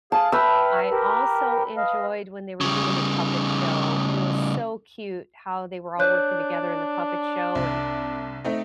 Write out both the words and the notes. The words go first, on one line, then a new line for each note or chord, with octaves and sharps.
I also enjoyed when they were doing the puppet show, and it was so cute how they were all working together in the puppet show, and
G#4 F5 A5
B4 E5 G5 E6 F6
G4 A#4
D#5 F5
C#3 G3
D4 C#5 F#6 G6
C2
A3 C4 D#4